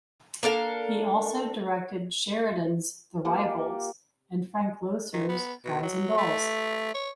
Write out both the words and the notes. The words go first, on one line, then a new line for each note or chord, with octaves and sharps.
He also directed Sheridan's "The Rivals" and Frank Loesser's "Guys and Dolls".
A#3 D4 A4 F5
A#3 F4 G4 F#5
D#3
B3
B2
F#3
A3
C#5